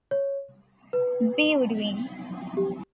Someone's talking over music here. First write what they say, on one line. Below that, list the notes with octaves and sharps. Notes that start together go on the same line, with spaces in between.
B would win.
C#5
B4
G4